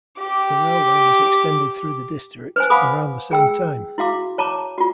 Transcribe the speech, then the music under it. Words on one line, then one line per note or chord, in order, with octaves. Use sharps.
The railway was extended through the district around the same time.
G4 D6
B4 C5 G#5
F5 F#5 G#5 B5 D6 D#6
G#4 G5 E6
E4 F#4 F5 D6
C#5 A5 A#5 D6
F4 F#4